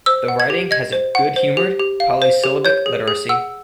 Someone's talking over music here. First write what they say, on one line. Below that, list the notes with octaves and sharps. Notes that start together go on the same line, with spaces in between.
The writing has a good-humored polysyllabic literacy.
C5 E6
F#5
G#6
G4
D#5 G#6
C5
F#5
C5
G4
G4
F5
C5
G4
C#5 G6
G#4
G#4
F#5 E6